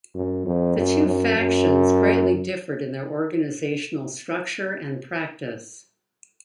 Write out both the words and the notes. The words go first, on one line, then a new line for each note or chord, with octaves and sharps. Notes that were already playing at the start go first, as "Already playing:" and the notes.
The two factions greatly differed in their organizational structure and practice.
F#2
F2
F#2
F#2
F#2